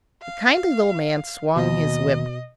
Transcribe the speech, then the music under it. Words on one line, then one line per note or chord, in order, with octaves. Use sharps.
The kindly little man swung his whip.
F5
D#2 B2 D#5